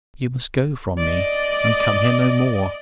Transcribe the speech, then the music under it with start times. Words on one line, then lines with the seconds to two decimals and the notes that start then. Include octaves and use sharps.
You must go from me, and come here no more.
0.98 D5 D#5